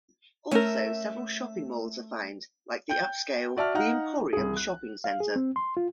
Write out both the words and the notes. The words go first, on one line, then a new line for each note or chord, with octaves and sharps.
Also several shopping malls are found, like the upscale The Emporium shopping center.
A3 C#4 A#4 E5
G5 G6
F#4 D5 E5 A5 F6
D#4 F5 F#5 F6
C2 G#4
F#6
F5
G#4
C4
C6
F4